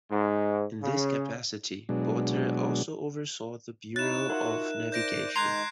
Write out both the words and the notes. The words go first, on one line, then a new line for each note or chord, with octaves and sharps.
In this capacity, Potter also oversaw the Bureau of Navigation.
G#2
C#3
B2 F#3 G#3 D4
D#4 E4 C#5 F#6 A6 E7
D#4 F4 F#4 A#4 E5 F#5
C5 D5 G6 A#6 D7
D#3 G#3 A#5 C6 F#6 G#6 C7